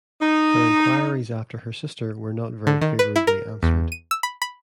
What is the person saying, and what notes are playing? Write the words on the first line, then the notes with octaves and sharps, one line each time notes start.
Her inquiries after her sister were not very favourably answered.
D#4
D3
D#3
B4
E4
A#4
E2
D#7
E6
B5
B5